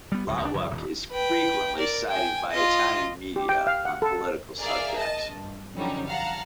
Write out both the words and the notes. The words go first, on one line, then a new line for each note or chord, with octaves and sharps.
Luttwak is frequently cited by Italian media on political subjects.
G3 B3
D1 C#2 D3 F#3
C2 D4
G1 D3 F#3
D#1
B4 G5
A#4 D5
G5 G#5
F4 D#5
G4
G5
F5
F#5
A4
G#4 A#4 D5 E5 F5
D#5 A5
G2
F#2 D3 F3 G3 C#4 D#4
F5 F#5 A5 A#5